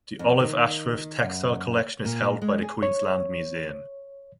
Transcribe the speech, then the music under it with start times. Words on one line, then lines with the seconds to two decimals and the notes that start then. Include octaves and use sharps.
The Olive Ashworth Textile Collection is held by the Queensland Museum.
0.19 F2
0.40 D#3
1.22 F#2
2.05 A#2
2.42 G#3
2.62 G#4
2.83 C#5